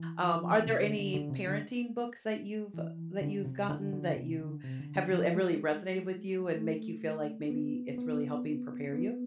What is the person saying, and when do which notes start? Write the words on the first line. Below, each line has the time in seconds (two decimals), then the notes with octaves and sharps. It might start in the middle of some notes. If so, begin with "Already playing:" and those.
Um, are there any parenting books that you've that you've gotten that you have really have really resonated with you and make you feel like maybe it's really helping prepare you?
Already playing: E3
0.36 F3
0.51 E3
0.67 C3
0.83 D3
0.99 D3
1.14 D3
1.30 C3
1.47 D3
2.74 E3
3.21 D3
3.45 C3
3.69 D3
3.93 D3
4.17 C3
4.40 D3
4.64 C3
4.80 D3
4.96 D3
5.11 F3
5.35 G#3
6.55 A3
7.50 B3
7.98 B3
8.93 B3